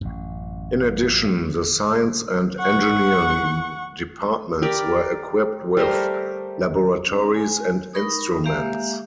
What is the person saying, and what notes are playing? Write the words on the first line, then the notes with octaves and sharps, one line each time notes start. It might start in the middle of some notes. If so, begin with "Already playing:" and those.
In addition, the Science and Engineering Departments were equipped with laboratories and instruments.
A1 F#2
F#5 C#6
G4 A#4 D5 B5
G3 A3 A#4 C5
C#4
G#5
D#4 A#4 B5 C#6 D#6
G#3 A#3 G4 E5 F5